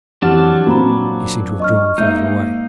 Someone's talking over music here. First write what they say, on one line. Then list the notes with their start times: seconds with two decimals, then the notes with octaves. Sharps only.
He seemed to have drawn further away.
0.22 F2 E3 F#3 D4 G4 F#5 A5 F6
0.66 A#2 C4 F#4 A#5 B5
1.60 D#5 C#6 F6
1.98 G#2 A#3 D#4 E5 G6